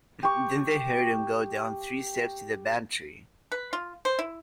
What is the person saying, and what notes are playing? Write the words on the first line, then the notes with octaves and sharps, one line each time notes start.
Then they heard him go down three steps to the pantry.
G4 C#6
B4
F4
C5
E4